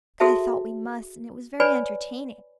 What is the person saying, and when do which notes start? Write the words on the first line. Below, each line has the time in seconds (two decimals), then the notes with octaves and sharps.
'Guy thought we must, and it was very entertaining.
0.20 F#4 G#4 A4 C5 E5 A5
1.60 B4 C#5 D5 G#5 B5